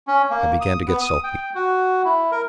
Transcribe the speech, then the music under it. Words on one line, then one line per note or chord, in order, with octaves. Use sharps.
I began to get sulky.
C#4
A#3
D#6
B3
D#6
G5
F#4
E4
A#4